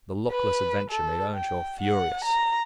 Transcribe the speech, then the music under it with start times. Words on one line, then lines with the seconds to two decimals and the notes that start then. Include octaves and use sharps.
The luckless adventure made Earnshaw furious.
0.31 B4
0.91 A4
1.35 G5
1.81 F#5
2.25 A#5